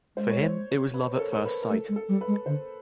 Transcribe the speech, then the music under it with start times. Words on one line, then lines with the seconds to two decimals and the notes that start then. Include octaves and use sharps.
For him, it was love at first sight.
0.17 G#3 C5
0.30 C#5
0.43 C5
0.94 B4
1.14 A#4
1.19 A4
1.32 A#4
1.45 B4
1.63 A#4
1.70 A3 A4
1.89 G#3
1.96 A4
2.09 G3
2.21 B4
2.28 G#3
2.46 D3 C5